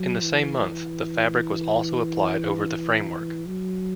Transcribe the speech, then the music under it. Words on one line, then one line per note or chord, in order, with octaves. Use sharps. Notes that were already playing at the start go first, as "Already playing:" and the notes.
In the same month, the fabric was also applied over the framework.
Already playing: F#3
E3
F#3